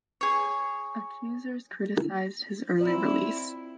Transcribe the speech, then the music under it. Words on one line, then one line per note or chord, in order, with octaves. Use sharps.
Accusers criticized his early release.
G#4 C#5
C4 E4 F4 D5 A#5